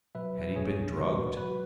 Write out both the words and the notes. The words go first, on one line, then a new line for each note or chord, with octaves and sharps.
Had he been drugged?
B2 F#3 B4 E5
B2 F#3 G#4 C#5
C#3 E3 G#3 F#4 B4
B2 F#3 F#4 B4
F#4